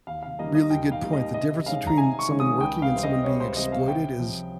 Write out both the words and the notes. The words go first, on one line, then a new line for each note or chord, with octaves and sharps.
really good point. The difference between someone working and someone being exploited is
D#2 F5
F5
D#3 G3 A#3 D#5
D#5
D#2 G5
F5
D#3 G3 A#3
D#5
C3 D#5
D#3 G#3 C#4 F5
A#5
C3 G#5
C#6
D#3 G#3 C#4
D#6
C#2 G5
F5
C3 G3 C4
D#5
C#2 C#5
C5
C3 G3 C4 D#5
F5
C3 G5
F3 C4